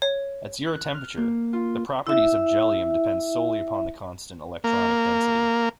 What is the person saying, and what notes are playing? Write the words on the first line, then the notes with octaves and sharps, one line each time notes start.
At zero temperature, the properties of jellium depend solely upon the constant electronic density.
C#5
F#6
F6
A#3
F4
E4 E5
A#3